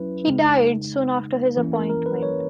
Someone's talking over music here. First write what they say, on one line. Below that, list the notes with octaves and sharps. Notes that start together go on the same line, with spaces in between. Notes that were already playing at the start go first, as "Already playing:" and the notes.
He died soon after his appointment.
Already playing: F#3 C#4 E4 B4
C#3 G#3 D#4
E3 A#3 C#4 E4 A#4
A#4
A#4
B4
C#5